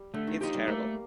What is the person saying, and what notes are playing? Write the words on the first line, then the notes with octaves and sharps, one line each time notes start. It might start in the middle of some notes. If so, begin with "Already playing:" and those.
It's terrible.
Already playing: G3
D3 A3
D#3
F3 D#4 G4
G3
A3 A#3